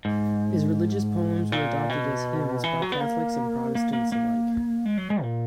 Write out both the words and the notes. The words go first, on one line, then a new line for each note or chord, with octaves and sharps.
His religious poems were adopted as hymns by Catholics and Protestants alike.
G#2
A#2
B2
E3
F#3
B3
A#3
A#3
A#3
A#3
G#3
F#3
G#3
A#2